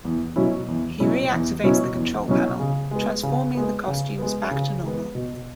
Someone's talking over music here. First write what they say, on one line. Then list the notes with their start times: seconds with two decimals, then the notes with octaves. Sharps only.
He reactivates the control panel, transforming the costumes back to normal.
0.05 E2
0.36 B2 F#3 C#4 E4
0.68 E2
1.00 B2 F#3 C#4 E4
1.32 E2
1.64 B2 F#3 C#4 E4
1.95 E2
2.28 B2 F#3 C#4 E4
2.59 C#3
2.91 G#3 B3
3.23 C#3
3.55 G#3 B3
3.87 C#3
4.19 G#3 B3
4.51 C#3
4.83 G#3 B3
5.15 B2